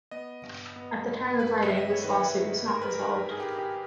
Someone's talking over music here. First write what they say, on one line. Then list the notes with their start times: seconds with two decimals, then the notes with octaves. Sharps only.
At the time of writing, this lawsuit was not resolved.
0.11 B3 D#5
0.43 G2
0.76 B3
1.07 G2
1.40 G2 B4
1.63 E5
1.72 G2
1.78 D#5
1.90 C#5
2.03 D#3 B4
2.35 G2
2.68 G#2 A#4
2.82 B4
2.95 G3 A#4
3.31 G#2 G#4
3.40 G4
3.59 G4